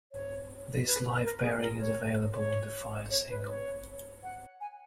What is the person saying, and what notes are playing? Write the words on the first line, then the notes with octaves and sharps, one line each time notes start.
This live pairing is available on the "Fire" single.
C#5
B4
A#4
G#4
A#4
C#5
C#5
C#5
B4
C#5
F#5
G#5